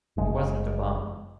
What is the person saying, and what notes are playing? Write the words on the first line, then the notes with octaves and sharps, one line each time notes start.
He wasn't a bum.
F#1 G#3